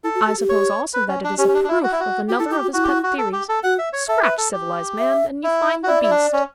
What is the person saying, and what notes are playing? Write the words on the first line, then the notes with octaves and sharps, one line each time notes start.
"I suppose also that it is a proof of another of his pet theories. Scratch civilized man, and you find the beast."
E4 A4
F#4
G4
G4
C#5
B4
C#4
D4
C#4 G4
C#4
D4
D4
E4
F#4
E4
F#4
F#4 G4
E4 A4
E4 G4
F#4
E4 F#4
G4
F#4
F#4
A4
G4
A4
F#4 F#5
E5
C#5
A4 E5
B4
A4
G4
E5
E4
F#4
E4 D5
E4
D4
C#4